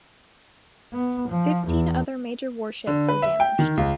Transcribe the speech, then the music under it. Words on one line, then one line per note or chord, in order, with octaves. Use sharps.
Fifteen other major warships were damaged.
B3
F3
E2
D3
B4
E5
G5
D#3
C#2